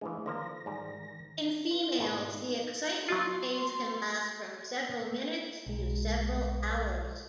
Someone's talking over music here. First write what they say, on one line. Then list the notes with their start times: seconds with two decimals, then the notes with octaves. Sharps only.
In females, the excitement phase can last from several minutes to several hours.
0.01 E3 F3 G#3 A3 D4
0.26 D3 D#3 F3 A#3 A#6
0.66 G#2 G3
1.71 B4 F5 C6
1.99 G#1 G#2 B2 D#4
3.09 F#3 B3 F4 F#4 C6
5.67 B1 G#3